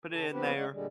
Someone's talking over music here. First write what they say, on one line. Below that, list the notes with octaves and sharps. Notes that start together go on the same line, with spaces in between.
put it in there,
C#3 A4
F3 B3 C4 G4 B4
G#3 D4 F#5
A#2 D3 G3 G#3